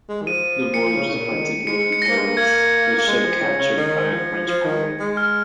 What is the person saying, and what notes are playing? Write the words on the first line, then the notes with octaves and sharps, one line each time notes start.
The voyage was particularly perilous, his ship captured by a French pirate.
G#3
D#3
F3 D#7
C#7
C#3
C#3
A#2
D#3
G#3 C#7
C#7
A#6
A#3
G#3
A#3
A#3 G#6
A#3
G#3
F3
C#3
C#3
D#3
F3
F3
D#3
G#3
F6